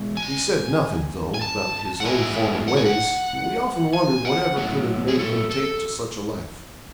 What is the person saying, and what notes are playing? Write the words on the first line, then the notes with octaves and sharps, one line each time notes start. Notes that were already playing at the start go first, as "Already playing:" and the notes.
He said nothing, though, about his own former ways, and we often wondered whatever could have made him take to such a life.
Already playing: B2 G#3
G#5
G#5
A5
F#5
A2 G#3 B3 E4 G#5
F#5
G#5
F#5
G#5
F#5
A2 F#3 B3
G#4
A4
A4